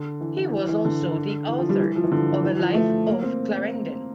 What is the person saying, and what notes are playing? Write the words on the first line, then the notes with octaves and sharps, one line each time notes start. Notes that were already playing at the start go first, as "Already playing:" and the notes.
He was also the author of a "Life of Clarendon".
Already playing: D3
E3
E3
E3
E3
D3
E3
F3
G3
E3
F3
E3
D3
E3
F3
A3
A#3
C4